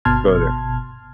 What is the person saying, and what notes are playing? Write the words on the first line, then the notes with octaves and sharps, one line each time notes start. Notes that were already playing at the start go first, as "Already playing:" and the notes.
Go there.
G1 B2 A5 C6 F6 G#6